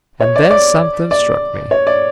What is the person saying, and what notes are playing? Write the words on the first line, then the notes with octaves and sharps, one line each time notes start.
And then something struck me.
C#5
D5
D5
D5
C#5
D5